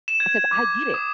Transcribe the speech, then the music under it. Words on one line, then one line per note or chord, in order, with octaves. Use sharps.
'cause I get it.
E7
G#6
D6
D#6